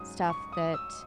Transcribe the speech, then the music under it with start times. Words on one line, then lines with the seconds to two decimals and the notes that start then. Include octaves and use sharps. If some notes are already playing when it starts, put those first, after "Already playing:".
stuff that
Already playing: G#2 F#3 C#4 D#6
0.30 C#6
0.52 D#6
0.74 E6